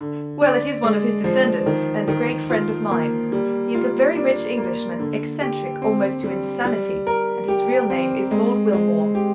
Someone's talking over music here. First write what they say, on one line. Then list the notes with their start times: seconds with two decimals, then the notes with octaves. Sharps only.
"Well, it is one of his descendants, and a great friend of mine; he is a very rich Englishman, eccentric almost to insanity, and his real name is Lord Wilmore."
0.01 D3
0.42 D4
0.84 G#3
1.24 F3
1.66 D#3
2.08 D#3
2.50 F4
2.91 A#3
3.32 G3
3.75 F4
4.16 D4
4.57 A#3
4.99 D3
5.41 G4
5.82 C4
6.23 G3
6.65 G3
7.07 A#4
7.48 G4
7.90 C4
8.31 G#3
8.73 G#3
9.15 G4